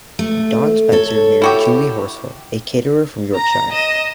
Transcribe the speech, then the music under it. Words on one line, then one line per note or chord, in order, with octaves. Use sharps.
Don Spencer married Julie Horsfall, a caterer from Yorkshire.
A3
A4 C#5
E4 F#4 G4
A#5 A#6
D#5 E7